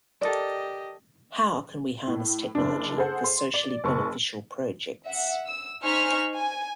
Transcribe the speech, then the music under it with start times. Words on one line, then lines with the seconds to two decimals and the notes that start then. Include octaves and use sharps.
How can we harness technology for socially beneficial projects?
0.21 G4 A4 A#4 D5 D#5
2.07 A2
2.55 F#1 D4
2.97 G#4 A4 C5 F#5
3.24 C6
3.54 D5
3.84 F#1 A5 C#6
5.06 E5 F#5
5.46 E6
5.83 D#4 C5 G#5 C#6 F6 B6
6.36 G#5